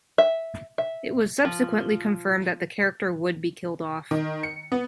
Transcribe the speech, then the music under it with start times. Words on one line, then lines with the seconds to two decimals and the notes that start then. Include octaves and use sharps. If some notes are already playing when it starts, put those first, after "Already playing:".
It was subsequently confirmed that the character would be killed off.
0.18 E5
0.78 E5
1.45 F3
4.11 D#3
4.43 C#7
4.72 B3